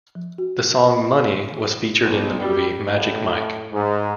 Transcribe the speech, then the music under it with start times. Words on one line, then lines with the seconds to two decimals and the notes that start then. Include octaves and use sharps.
The song "Money" was featured in the movie Magic Mike.
0.15 F3
0.38 F#4
2.00 B1
2.38 G3
2.79 A2
3.72 G#2